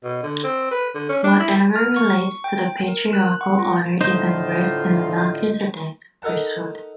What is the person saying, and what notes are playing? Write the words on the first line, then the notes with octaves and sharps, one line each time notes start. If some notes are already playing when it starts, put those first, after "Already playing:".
Whatever relates to the patriarchal order is embraced in the Melchizedek Priesthood.
B2
D3
C4
B4
D3
C#4
D4
E4
F6
C#6
G5
A#4
F#6
F#5
F4
A2 D3 D#4 F4 C5
D#4 A4 A#4 F#5 A5